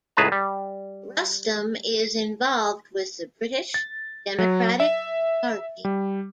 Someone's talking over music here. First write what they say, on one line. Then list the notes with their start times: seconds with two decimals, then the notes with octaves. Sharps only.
Rustem is involved with the British Democratic Party.
0.17 C#2 A2 G#4 B4 A5 A#5
0.32 G3
3.74 A6
4.38 F#3
4.80 E5
5.85 G3